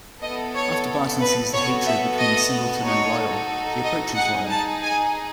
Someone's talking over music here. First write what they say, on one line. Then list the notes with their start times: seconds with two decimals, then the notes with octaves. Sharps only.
After Barton sees the hatred between Singleton and Royle, he approaches Royle.
0.22 B3 E4 A4 D#5
0.55 C#5
1.21 B4
1.53 B3 F#4 A4 C#5
1.86 E5
2.19 D#5
2.85 D#4 F#4 A4 C#5
3.84 D#5
4.16 D#4 G#4 F#5
4.49 A5
4.82 G#5